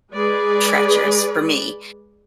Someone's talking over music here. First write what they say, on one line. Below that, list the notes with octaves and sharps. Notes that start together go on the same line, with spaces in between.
treacherous for me,
G#3 G#4 B4 D5